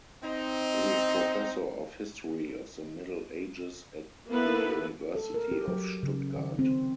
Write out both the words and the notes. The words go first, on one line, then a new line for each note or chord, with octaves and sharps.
He is professor of History of the Middle Ages at the University of Stuttgart.
C4 D#4
A#3 B3 E4 A4 B4
A4
A#4
G4
F#3
C#3
D#3
C4